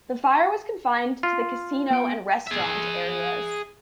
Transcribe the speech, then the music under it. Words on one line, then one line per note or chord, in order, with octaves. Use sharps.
The fire was confined to the casino and restaurant areas.
F4
B3 G5 D7
G#4 E5